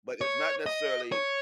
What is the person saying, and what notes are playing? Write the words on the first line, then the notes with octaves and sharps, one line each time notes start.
but it's not necessarily,
C#5
D#5
C#5